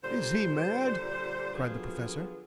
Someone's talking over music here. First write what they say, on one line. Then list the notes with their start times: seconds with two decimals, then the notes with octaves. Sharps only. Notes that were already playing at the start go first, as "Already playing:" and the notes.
"Is he mad?" cried the Professor.
0.03 A#2 D3 G3 C5
1.53 D3 F3 F#3 B3 F4 G#4